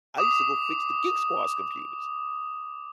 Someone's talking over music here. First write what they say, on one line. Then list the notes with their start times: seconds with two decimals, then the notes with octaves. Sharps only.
I used to go fix the Geek Squad's computers.
0.18 D6 D#6